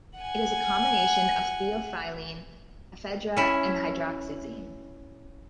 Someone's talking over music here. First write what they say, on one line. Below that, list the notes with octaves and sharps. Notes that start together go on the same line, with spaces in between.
It is a combination of theophylline, ephedra, and hydroxyzine.
F#5 G#5
C#4 E4